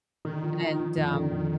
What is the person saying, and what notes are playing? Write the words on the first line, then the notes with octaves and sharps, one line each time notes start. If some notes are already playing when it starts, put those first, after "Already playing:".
and um
D3 D#3
F3
F3
F3
F2 D#3
D3
F2